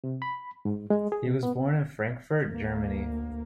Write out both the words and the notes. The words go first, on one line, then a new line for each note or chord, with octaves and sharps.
He was born in Frankfurt, Germany.
C3
B5
G#2
G#3
G#4
C3
B3
D2 A#3